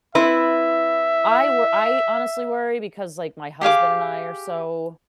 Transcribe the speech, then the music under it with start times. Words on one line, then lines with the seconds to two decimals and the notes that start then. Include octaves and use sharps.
I wor I honestly worry because, like, my husband and I are so
0.15 C4 E4 B4 E5
3.61 G4 G#4 F5 D6